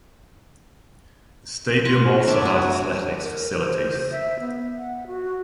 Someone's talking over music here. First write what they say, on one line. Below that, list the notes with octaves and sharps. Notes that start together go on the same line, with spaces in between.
The stadium also has athletics facilities.
F4 C#6
D4 C#5 D5 E5
F#4
A#4
C5
E5
B3
F#5
F#4